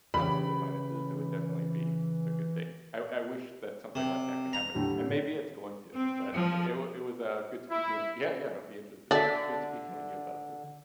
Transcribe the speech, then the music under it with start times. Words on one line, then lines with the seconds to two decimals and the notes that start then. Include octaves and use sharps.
pluses and minuses, it would definitely be a good thing. I I wish that something like that could happen, and maybe it's going to. But it it wa it was, uh, good speaking Yeah, yeah, it would be interesting. It's good speaking with you about this.
0.14 C#3 E3 C#4 G4 B5
3.95 C3
4.53 A#5
4.74 A2 D3 G3
5.93 C4
6.34 F3
7.70 E4
9.11 D3 F#4 A4 D5 E5